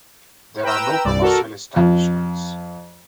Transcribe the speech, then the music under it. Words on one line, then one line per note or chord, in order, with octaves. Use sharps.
There are no commercial establishments.
B4 G5 A#5 E6
C2 G2 D5
F#4 A4 A#4
F2